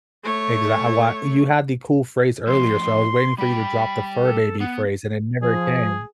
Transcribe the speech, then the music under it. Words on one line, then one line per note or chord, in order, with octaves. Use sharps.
Exact a lot you had the cool phrase earlier, so I was waiting for you to drop the fur baby phrase and it never came.
A3 C#5
A2 F3 C6
G3 G5 B5
A4
B3 F#5
F3 G#4